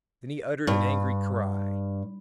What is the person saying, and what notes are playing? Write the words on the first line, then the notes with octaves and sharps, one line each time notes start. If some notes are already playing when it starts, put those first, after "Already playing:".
Then he uttered an angry cry.
G2